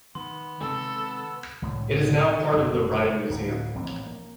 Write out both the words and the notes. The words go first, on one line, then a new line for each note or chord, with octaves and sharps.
It is now part of the Rye Museum.
D#3 B3 C6
C3 D#3 G#3 A4
C2 A2 D3 G#3
F#1 B2 G3
D1
A1 F3 A#3 C4
A#3